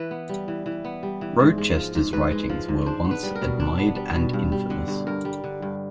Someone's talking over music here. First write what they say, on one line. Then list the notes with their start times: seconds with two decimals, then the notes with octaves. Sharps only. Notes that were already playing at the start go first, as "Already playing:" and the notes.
Rochester's writings were at once admired and infamous.
Already playing: E3 B4
0.11 B3
0.29 G3
0.48 E3
0.66 E3
0.85 B3
1.03 G3
1.21 E3
1.40 G#2
1.58 G#3
1.76 F3
1.95 G#2
2.13 G#2 B4
2.31 G#3
2.49 F3
2.68 G#2
2.86 D4 C5
3.05 B3
3.11 B4
3.23 G3
3.35 A#4
3.42 B2
3.60 D4
3.79 B3
3.96 G3
4.15 B2
4.33 G2
4.52 G3
4.70 D3
4.88 G2
5.07 G2 A#4
5.25 G3
5.44 D3
5.62 G2